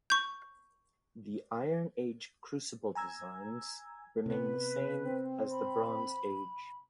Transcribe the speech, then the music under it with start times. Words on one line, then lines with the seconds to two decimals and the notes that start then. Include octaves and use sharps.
The Iron Age crucible designs remain the same as the Bronze Age.
0.10 C#6 G6
2.95 G#5 A#5 E6 G#6
4.26 C3 B3 B4
5.05 C4
5.51 B5